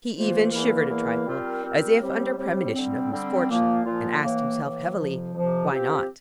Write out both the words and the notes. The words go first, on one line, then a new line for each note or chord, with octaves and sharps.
He even shivered a trifle, as if under premonition of misfortune, and asked himself heavily: Why not?
F2 E3 A#3 F4 C5
E2 E3 A#3 E4 A#4
E2 E3 A#3 E4 A#4
G3 C4 F4 A#4
G3 C4 F4 A#4
A2 G3 C4 G4 C5
A2 G3 C4 G4 C5
D3 G3 C4
D3 G3 C4
A#2 F3 A#3 F4
A#2 F3 A#3 F4
A2 E3 A#3
A2 E3 A#3
F2 C3 F3
F2 C3 F3
F3 C4 G4